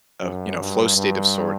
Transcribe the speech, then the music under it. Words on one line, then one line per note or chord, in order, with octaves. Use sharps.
uh, you know, flow state of sort
F#2
G2
G2